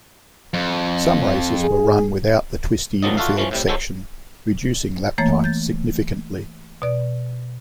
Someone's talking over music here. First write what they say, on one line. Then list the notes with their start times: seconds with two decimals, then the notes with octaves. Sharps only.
Some races were run without the twisty infield section, reducing lap times significantly.
0.54 F2
1.62 G#4
3.03 C#2 D#3 F3 F#3 D5 D#5
3.17 F4 F#4 A4 D5 E5 F5
3.37 E3 F3 C#4
3.51 A2 C3 G3
3.68 D3 F#3 G#3 A4 C5 C#5
5.18 E3 A3 A#3 C#5 A6
5.44 G6 A6
6.82 B2 D5